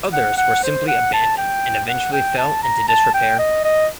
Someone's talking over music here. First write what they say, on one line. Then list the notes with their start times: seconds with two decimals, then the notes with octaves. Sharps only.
Others were simply abandoned and eventually fell into disrepair.
0.13 F#5
0.38 F#5
0.63 C5
0.88 F#5
1.13 A5
1.38 G5
1.88 F#5
2.13 G5
2.38 A5
2.63 A#5
2.88 A5
3.14 G5
3.39 D#5
3.64 D#5